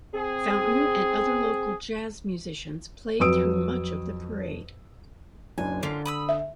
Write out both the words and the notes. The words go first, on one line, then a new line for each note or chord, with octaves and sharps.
Fountain and other local jazz musicians played through much of the parade.
C4 G#4
F2 F#3 B4 D#6 E6 D7
F#1 F#2 D4 G#5
D3 A#3 C#4 F4
B5 D#6 E6
E5